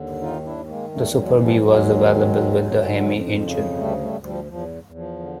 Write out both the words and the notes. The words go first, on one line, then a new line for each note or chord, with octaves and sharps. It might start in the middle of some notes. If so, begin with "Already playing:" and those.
The Super Bee was available with the Hemi engine.
Already playing: D#2 D3
D#3 D#4 F4
D4 E4
D#3
G#3 A#3
E2 G3 A3
F#3 G#3
E3
F3 G3
D#2 F#3 G#3
D#3
D#2
D3
F2
C#3
D2 G3 A3
G3 A3
D2
F3 G3
E2 F3
E2
F3
D3